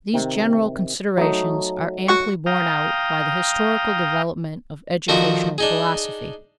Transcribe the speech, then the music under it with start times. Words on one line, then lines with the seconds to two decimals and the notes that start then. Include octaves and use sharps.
These general considerations are amply borne out by the historical development of educational philosophy.
0.14 C3 D#3
1.18 F#3 A3 D#4
2.08 F#4 F#5 C#6
2.46 F5 G5 A#5 D#6
5.08 D3 D#3 F3 C4 F#4 A#4
5.58 D4 D#4 G#4